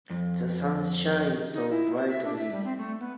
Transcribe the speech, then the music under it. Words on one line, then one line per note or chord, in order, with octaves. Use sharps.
The sun shines so brightly.
F2
D#4
E4
C5
E5
D4
E5
G3
C4
A3
B3